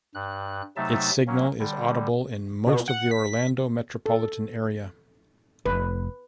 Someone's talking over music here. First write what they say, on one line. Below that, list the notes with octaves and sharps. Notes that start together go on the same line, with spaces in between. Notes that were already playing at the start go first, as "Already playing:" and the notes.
Its signal is audible in most of the Orlando metropolitan area.
G2 F#6
C3 F#3 A3 D#4 E5 A5
F#3 A#3 C#4
D3 G3
B2
F#5
B6
A4
F1 B4